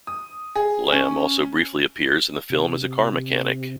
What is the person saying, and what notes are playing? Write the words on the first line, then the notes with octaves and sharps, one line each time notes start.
Lam also briefly appears in the film as a car mechanic.
D#6
G#4
C#4
C3